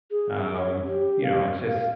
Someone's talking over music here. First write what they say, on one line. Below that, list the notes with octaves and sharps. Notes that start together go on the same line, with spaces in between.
um, you know, it's just,
G#4
C#5
G4
F5
F5